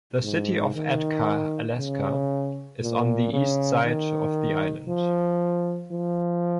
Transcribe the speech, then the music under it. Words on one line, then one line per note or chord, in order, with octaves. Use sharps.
The city of Atka, Alaska is on the east side of the island.
G#2
D#3
C#3
A#2
C#3
D#3
F3
F3